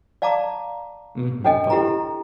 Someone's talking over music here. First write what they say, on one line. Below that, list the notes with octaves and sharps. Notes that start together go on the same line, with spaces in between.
Mhm, buh-bye.
D5 F5 A5 A#5 D6
C#4 D4 A4 D#5 G5
E4 G4 A4 A#5